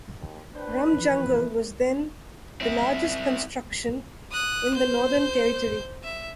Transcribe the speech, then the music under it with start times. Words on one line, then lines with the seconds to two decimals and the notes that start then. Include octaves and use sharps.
Rum Jungle was then the largest construction in the Northern Territory.
0.20 D#2
0.55 D4 B4 C5 G5
0.93 E3 F3
1.28 A3
2.61 C4 E4
4.32 D#6 F#6
4.74 C5 G6
6.03 E5